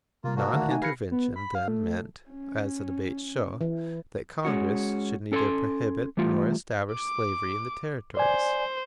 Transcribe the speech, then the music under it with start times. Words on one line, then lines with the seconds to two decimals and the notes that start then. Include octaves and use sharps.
Non-intervention then meant, as the debates show, that Congress should neither prohibit nor establish slavery in the Territories.
0.24 C3 G3 A#3 F4
0.36 A#3 D4 F#4
0.53 D3 D#3 A3 E5 F#5
0.68 D#4 G#5
0.82 G4 B4 F5 B5 G#6 A#6 C7 C#7
1.11 B3
1.36 B5
1.55 F5
1.68 A3
2.30 C#4
3.61 E3
4.45 G#3 C#4 F#4
5.32 C#4 A4 B4 G#5 C6
6.17 E3 G3 A3 F4
6.93 D6
8.17 C5 D5 G#5